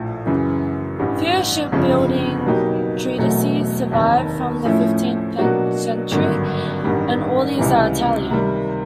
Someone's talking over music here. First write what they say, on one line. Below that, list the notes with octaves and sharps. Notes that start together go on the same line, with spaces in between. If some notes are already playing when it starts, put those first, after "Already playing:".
Few shipbuilding treatises survive from the fifteenth century, and all these are Italian.
Already playing: A#1 A2 F3
F#2 C#3 E3
A1 G2 E3 G3
G1 F2 C#3 F3
B2 F#3 A#3 D#4 G4
E1 E2 B2 F#3 A3
F1 D#2 D#3
A2 F3 A3 C#4 E4
B2 F#3 A#3 D4 F#4
G#1 G2 D3 F#3 A#3
A1 G2 D#3 G3
C#2 C3 E3 G3
C3 D#3 G3